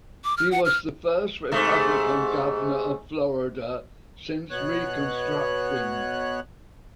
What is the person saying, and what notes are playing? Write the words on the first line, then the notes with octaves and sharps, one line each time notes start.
He was the first Republican Governor of Florida since Reconstruction.
D6
F6
F#5
F6
G#2 C3 A3
B2 B3 C#5 F#6